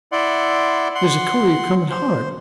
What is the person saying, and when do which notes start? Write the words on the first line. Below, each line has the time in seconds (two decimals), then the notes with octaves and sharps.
There's a courier coming--hard!
0.12 E4 D5 F#5 C6
0.95 F#5 C6
1.90 C5